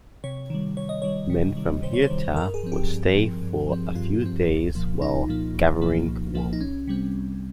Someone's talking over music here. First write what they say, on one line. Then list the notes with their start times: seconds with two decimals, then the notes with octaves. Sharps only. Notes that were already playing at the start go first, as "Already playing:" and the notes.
Men from Hirta would stay for a few days while gathering wool.
0.24 C3 C#5
0.50 D#3 G3
0.77 C3 C#5
0.89 D#5
1.02 D#3 G3 C#5
1.30 C3
1.57 D#3 G3
1.83 C3 C5
1.93 C#5
2.02 C5
2.10 D#3 G3
2.36 G2 A#4
2.54 G#4
2.63 F3 C4
2.72 G4
2.89 G2
3.16 F3 C4
3.42 G2
3.69 F3 C4
3.95 G2 F4
4.22 F3 C4
4.49 C2
4.75 A#2 F3 A#3
5.01 C2 D#4
5.28 A#2 F3 A#3
5.55 C2
5.81 A#2 F3 A#3
6.08 C2
6.34 A#2 F3 A#3
6.53 D#4
6.61 C2 C#4
6.88 C3 G3 C4
7.14 C2